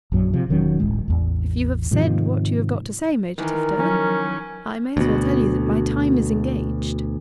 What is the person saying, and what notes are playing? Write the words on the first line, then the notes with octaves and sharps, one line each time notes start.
"If you have said what you have got to say, Major Tifto, I may as well tell you that my time is engaged."
A#1 F#2 F#3
C3 F3
E1 D#3 F#3 C#4
D1 A1 G#3
A1 E2
G#2 C3 D#3 F3
D#3 E3 A#4 G#5
F3 F#3 C#4
D2 B2